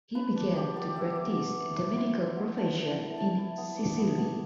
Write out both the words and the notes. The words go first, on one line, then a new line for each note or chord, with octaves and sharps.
He began to practise the medical profession in Sicily.
F4 B4
D4
F4 G4
B3 D5
B3 E5
B3 D6
E4
B3
E4
E4 C6
E4
B5
B3
E4 A5
B3
E4
E4 A5
E4
B3
D4
B3
B3